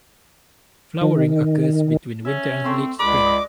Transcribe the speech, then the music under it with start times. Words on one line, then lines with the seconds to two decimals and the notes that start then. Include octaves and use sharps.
Flowering occurs between winter and late spring.
1.02 D#3
2.25 C#4 E5
2.64 A3 C4 C6 E6
2.99 C#2 G#3 D4 D5 B5 D6
3.26 D#5